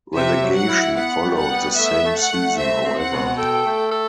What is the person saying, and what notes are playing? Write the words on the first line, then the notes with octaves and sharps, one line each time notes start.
Relegation followed the same season, however.
C3 E5
F#3
F#5
E4
B3 F#5
G3
F#5
B3
A3 E5
A3
F#5
A3
C4 E5
C4
F#5
B2
A4 G5
A3
A4